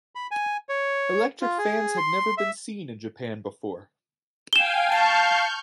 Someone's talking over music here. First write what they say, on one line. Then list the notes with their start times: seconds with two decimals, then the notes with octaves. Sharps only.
Electric fans had never been seen in Japan before.
0.15 B5
0.31 G#5
0.69 C#5
1.42 F4
1.58 G#4
1.98 C6
2.38 E5
4.53 F5 G5 G#5 E7 G7
4.91 F5 A5 C#6 F6 G6